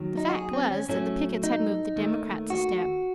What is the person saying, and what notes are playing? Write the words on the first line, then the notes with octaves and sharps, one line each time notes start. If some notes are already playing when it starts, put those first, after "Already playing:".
The fact was that the pickets had moved the Democrats a step.
Already playing: D#2 D#3 F#3
D#4
F#4
G#4
C4
C#4
A2 F#3 A3 C#4
D#4
D#2 D#3 A3
F#4